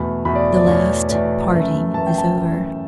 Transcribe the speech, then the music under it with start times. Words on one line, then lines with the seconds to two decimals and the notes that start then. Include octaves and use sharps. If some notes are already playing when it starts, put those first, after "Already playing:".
The last parting is over.
Already playing: E2 B2 A3 B5
0.25 E2 B2 A3 B5
0.35 D5
0.57 D5
0.67 E2 B2 A3 C#5
1.09 E2 B2 A3 D5
1.52 F#2 E3 A3
1.94 F#2 E3 A3 A5
2.07 G5
2.18 A5
2.36 F#2 E3 A3